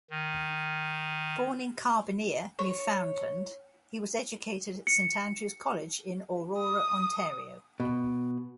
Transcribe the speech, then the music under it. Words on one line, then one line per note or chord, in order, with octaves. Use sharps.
Born in Carbonear, Newfoundland, he was educated at Saint Andrew's College in Aurora, Ontario.
D#3
C#5
C#7
D#6
B2